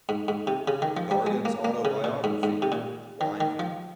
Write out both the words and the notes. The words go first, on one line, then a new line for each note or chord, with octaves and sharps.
Gargan's autobiography, Why Me?
G#2
G#2
C3
C#3
D#3
F3
G3
G#3
A#3
A#3
C#3
A#2
G#2
G#2
C3
A#2
D#3
D#3
F3